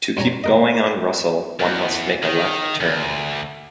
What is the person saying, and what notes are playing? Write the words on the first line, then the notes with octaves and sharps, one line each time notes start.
To keep going on Russell, one must make a left turn.
A#1 G3 C#5 G#5 A#5
E3 A#4 D#5
E2
D#3
D2